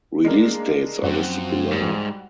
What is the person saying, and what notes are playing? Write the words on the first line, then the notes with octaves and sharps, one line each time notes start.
Release dates are listed below.
G#3 A#3 D4 A#4
F#2 F3 C4 F#4
G#2 G3